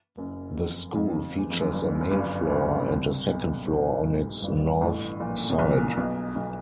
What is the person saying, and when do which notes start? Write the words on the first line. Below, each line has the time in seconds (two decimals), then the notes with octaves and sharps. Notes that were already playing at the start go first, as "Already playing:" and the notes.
The school features a main floor and a second floor on its north side.
0.17 F#1 F#2
0.57 F2
0.95 F2
1.38 E2
1.50 F2
1.61 F#2
1.73 G1 G2
2.01 F#2
2.11 G1 G2
2.50 C#2 C#3
2.88 C2 C3
3.27 B1 B2
3.65 A1 A2
4.04 G#1 G#2
4.42 G1 G2
4.81 A1 A2
5.20 A#1 A#2
5.50 B2
5.58 A#1 A#2
5.97 B1 B2
6.36 B1 B2